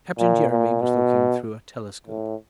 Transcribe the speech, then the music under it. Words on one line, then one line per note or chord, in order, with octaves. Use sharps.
Captain Jeremy was looking through a telescope.
A#2
A#2
B2
A2